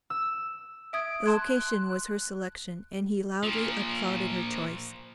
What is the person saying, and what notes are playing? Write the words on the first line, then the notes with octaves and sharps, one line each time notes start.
The location was her selection and he loudly applauded her choice.
E6
E5 D#6 G#6 D7
A5 C6 F#6 G#6
A#2 F3